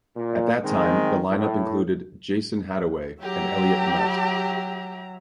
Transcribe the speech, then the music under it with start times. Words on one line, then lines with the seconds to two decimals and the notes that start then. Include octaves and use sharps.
At that time, the line-up included Jasun Hadaway and Elliott Nutt.
0.17 A#2
0.63 D#3 G#3 C4
1.30 A2
3.22 F#3 G4 E5 A#5